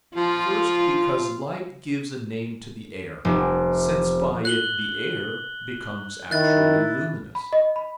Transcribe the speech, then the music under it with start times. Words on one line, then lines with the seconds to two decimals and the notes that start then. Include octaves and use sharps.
First, because light gives a name to the air, since by it the air becomes actually luminous.
0.16 F3 F4
3.25 F1
4.45 F#6 F#7 G7
6.31 D#3 E4 F#6 A6
7.35 B5
7.53 D#5
7.76 B5